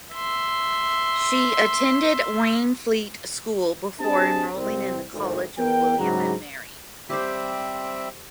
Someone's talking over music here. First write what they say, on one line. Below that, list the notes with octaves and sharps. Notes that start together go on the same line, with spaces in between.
She attended Waynflete School before enrolling in the College of William and Mary.
E5 C6
C4 D4 G4 G#4 D#5 A5
C2 C4
G#1 D2
E2 B3 A#4 G5
G#2 C#3 F#3 G3 A#5
G3 C4 G4 C5 E5